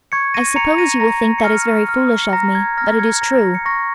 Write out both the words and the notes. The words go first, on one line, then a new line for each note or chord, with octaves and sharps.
I suppose you will think that is very foolish of me, but it is true.
C#6 G#6 C#7
A#6 D#7
A#5 C#7 F7
A#6 D#7
A#5 A#6
A#6
C#7
F6 A#6
F6
C#7
A#5 A#6
G#6
F6 A#6
A#6
G#6 C#7
A#5 A#6
A#6
C#7
C#6 A#6